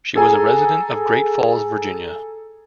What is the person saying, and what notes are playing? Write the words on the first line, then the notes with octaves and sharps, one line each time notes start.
She was a resident of Great Falls, Virginia.
G#4 A4 G#5 A#5